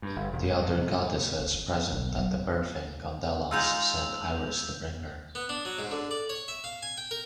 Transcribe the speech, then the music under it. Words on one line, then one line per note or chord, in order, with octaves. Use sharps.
The other goddesses present at the birthing on Delos sent Iris to bring her.
G2
G1
E1
G#2
F#2
C3
F#2
C#2
C#4
B1
F#3
G#3 D#4 F4 E6 G6 F7
B3
D4
F#3
G#2
D3
D5
C#5
E5
F5
G#5
G5
A#4